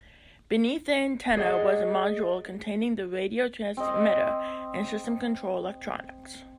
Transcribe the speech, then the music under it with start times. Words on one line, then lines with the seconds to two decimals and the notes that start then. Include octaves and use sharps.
Beneath the antenna was a module containing the radio transmitter and system control electronics.
1.37 G#4 D5 D#5 F#5
3.77 C4 D#5